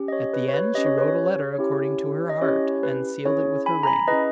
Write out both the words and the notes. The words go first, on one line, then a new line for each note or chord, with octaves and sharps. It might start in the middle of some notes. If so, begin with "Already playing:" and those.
At the end she wrote a letter according to her heart, and sealed it with her ring.
Already playing: C#4 G4
D#5
C#5
B4
C#5
B4
C#4 G4 D#5
C#5
B4
C#5
C#4 E4 G4
D#5
C#4 E4 G4 C#5
B4
C#4 E4 G#4 C#5
G#5 B5
A#5
G#5 B5
C#4 E4 G#4 B4 D#5